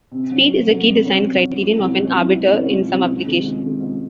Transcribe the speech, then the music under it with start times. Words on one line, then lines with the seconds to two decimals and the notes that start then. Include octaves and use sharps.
Speed is a key design criterion of an arbiter in some applications.
0.12 C3
0.31 F#3 C#4
0.48 C3
0.67 F#3 C#4
0.85 C3
1.04 F#3 C#4
1.22 C3
1.41 F#3 C#4
1.59 C#2
1.78 C3 F#3 C#4 E4
1.96 C#2
2.14 C3 F#3 C#4 E4
2.34 C#2
2.52 C3 F#3 C#4 E4
2.69 C#2
2.88 C3 F#3 C#4 E4
3.06 C#2
3.26 C3 D#3 G#3
3.43 C#2
3.62 C3 D#3 G#3
3.80 C#2